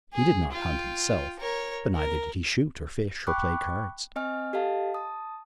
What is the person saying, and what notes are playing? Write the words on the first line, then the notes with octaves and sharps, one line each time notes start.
He did not hunt himself,--but neither did he shoot, or fish, or play cards.
G#4
F4 G5
A#4 C#5
A#4
G5 B5 C#6 D6 F#6
C4 D#5 G#5 F6
G4 A4 D#5 F5 A5
A5 D#6